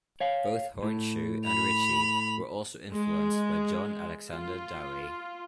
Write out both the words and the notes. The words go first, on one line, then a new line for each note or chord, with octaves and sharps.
Both Hornshuh and Richey were also influenced by John Alexander Dowie.
C#5 F5
A2
B5 F7
G#3
F4